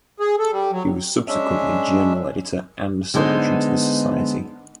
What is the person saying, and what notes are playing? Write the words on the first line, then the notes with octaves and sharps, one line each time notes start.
He was subsequently general editor and secretary to the society.
G#4
A4
G3
F#3
G#3 C#4 D4 E5
D3 G#3 B3 D#4 C5